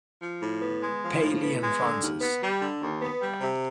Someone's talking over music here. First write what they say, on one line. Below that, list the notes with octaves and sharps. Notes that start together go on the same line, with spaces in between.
Paley and Francis.
F3
A2
B3
G#3
F3
A2
B3
G#3
D3
D#2
B3
G3
D3
D#2
B3
G3
C3